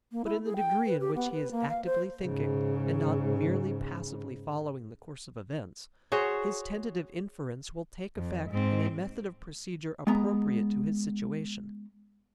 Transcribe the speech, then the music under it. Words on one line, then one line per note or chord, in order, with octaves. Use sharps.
But in the degree in which he is actively thinking, and not merely passively following the course of events, his tentative inferences will take effect in a method of procedure appropriate to his situation.
A#3
E4
G#4
G5
B4
G4
B3
B4
A#3
F5
C5
G#2 C#3
F#4 G#4 C5 C#5
F2
G#2 C4
G#3 B3 A#5